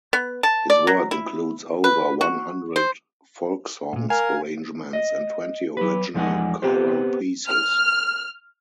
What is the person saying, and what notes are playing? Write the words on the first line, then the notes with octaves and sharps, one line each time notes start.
His work includes over one hundred folk songs arrangements and twenty original choral pieces.
B3
A5
D5
F#3
E4
B4
F#4
C5
G2 A#2
A#4 F5 G#5
D#5
F#3 B4
E2 F3 G#3 D#4 F#5 G#5
B3 C4 G4 C5
F6